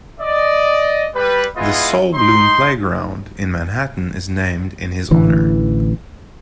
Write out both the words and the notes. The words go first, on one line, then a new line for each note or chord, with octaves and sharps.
The Sol Bloom Playground in Manhattan is named in his honor.
D5 D#5
G3 B4
G#3 B3 E4 F4 D#5
D#4 C6
A1 D3 E3